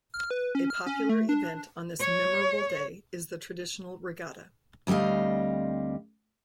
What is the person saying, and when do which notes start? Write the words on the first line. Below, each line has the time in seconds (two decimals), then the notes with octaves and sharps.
A popular event on this memorable day is the traditional regatta.
0.14 F6
0.31 B4
0.55 C#4
0.70 F6
0.86 C#4
1.09 A3
1.29 D4
2.00 C#5
4.87 D2 G3 C4 D#5 F5